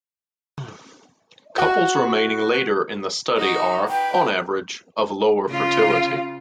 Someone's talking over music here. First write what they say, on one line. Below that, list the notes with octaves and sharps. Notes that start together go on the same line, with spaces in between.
Couples remaining later in the study are, on average, of lower fertility.
F#4
D#4 F#4
B4 G5
C#3 F4